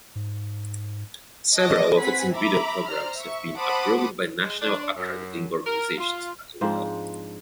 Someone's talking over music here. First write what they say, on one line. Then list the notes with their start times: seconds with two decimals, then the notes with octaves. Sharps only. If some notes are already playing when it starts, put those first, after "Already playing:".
Several of its individual programs have been approved by national accrediting organizations as well.
0.15 G#2
1.56 D#5 A5 D6 A#6
1.99 C4 B4 F#5 G#5 B6
2.33 E5 A#5 B5 D6
2.88 C5 D5 A#5 F6
3.16 E5 C#6
3.56 C5 F#5 A5 B5 D6 D#6
4.42 G#3
4.61 D4
4.96 F#2
5.67 A#4
5.98 F4
6.61 G#2 F3 C4 D4